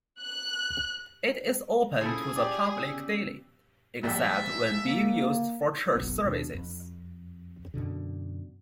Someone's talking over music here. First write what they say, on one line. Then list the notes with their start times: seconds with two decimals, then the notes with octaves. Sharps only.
It is open to the public daily, except when being used for church services.
0.19 F#6
2.01 C#4 E4 F4 G#4 A4 C5 E6
2.36 G4 D5 D6 D#6
2.76 B3 C#4 E6
4.03 A#1 G3 E5
4.82 A#3
5.95 F#1 B1 B3
6.25 D#2 B2 D4
6.55 F2
7.74 F#2 B2 D3